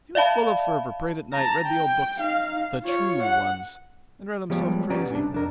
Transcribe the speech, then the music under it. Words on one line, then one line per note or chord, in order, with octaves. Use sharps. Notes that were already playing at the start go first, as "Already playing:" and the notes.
He was full of fervour, prayed at night, read the old books, 'the true' ones, and read himself crazy.
D5 E5 F5 A5 B5
A5 A#5
G5
D#4 F5
F4 C#5
F#5
F3 G3 G#3 B3 G4 C#5
B3 C#4 G4 D5 G#5 A#5
C2 D4 A5
F2 D4 A#4